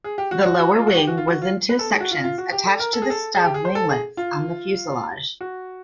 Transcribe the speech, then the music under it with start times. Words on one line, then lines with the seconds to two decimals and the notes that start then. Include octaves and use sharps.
The lower wing was in two sections attached to stub 'winglets' on the fuselage.
0.04 G#4
0.18 G4
0.31 F#4
0.46 F#4
0.59 F#4
0.79 F4
0.87 F#4
0.97 G4
1.07 F#4
1.17 F4
1.28 F#4
1.42 F4
1.69 B4
1.79 A4
1.90 G#4
2.00 F#4
2.11 F4
2.24 F4
2.38 F#4
2.52 G4
2.66 A4
2.80 A#4
2.93 A4
3.02 G#4
3.10 A4
3.35 G#4
3.45 G4
3.54 G#4
3.65 C5
3.75 A4
3.89 G#4
4.17 F4
5.41 F#4